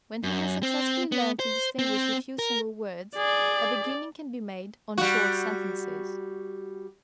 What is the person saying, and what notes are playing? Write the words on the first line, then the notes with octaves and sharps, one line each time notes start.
When he has successfully learned to distinguish a few single words, a beginning can be made on short sentences.
F#2
C4
B3
C5
C4
A#4
G#4 D5
G3 F#4